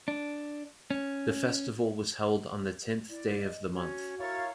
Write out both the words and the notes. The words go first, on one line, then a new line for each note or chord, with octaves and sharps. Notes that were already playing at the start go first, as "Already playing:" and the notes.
The festival was held on the tenth day of the month.
D4
C#4
E4 D5
D#5
C#4 F#4
E4 A#4 C#5 F5 A6